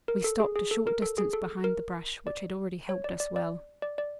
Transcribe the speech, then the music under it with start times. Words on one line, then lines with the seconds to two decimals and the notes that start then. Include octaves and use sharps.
We stopped a short distance behind the brush, which had already helped us well.
0.08 A#4
0.24 A4
0.40 G#4
0.56 G#4
0.71 A4
0.87 A#4
1.02 A4
1.18 G#4
1.33 A4
1.64 A#4
2.27 D5
2.89 C#5
3.04 D5
3.20 D5
3.36 D5
3.82 D5
3.98 D5